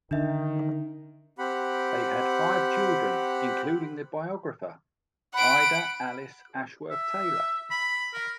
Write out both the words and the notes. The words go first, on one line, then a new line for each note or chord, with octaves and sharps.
They had five children, including the biographer Ida Alice Ashworth Taylor.
D3 D#3 D4 D#4 E5
C4 G4 F#5 B5
F#5 B5 D7
E5
B5
A#4